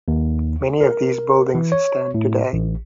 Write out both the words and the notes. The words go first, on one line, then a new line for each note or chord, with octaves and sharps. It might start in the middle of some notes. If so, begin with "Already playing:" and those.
Many of these buildings stand today.
D#2
A#4
E3
C#5
A2
A1